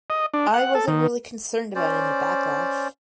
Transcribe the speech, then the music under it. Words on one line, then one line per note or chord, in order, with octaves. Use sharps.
I wasn’t really concerned about any backlash.
D#5
D4
F#5
A4
D#3
C#4 C5 D5